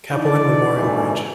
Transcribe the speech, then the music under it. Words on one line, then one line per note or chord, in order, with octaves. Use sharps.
Cappelen Memorial Bridge.
E3 D4 D#4 D5
F#1 F2 G#2 E3 A3